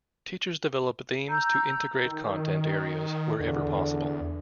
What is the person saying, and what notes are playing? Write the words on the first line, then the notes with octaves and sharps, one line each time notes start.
Teachers develop themes to integrate content areas wherever possible.
A#5 E6 G6
D#3
E2 D3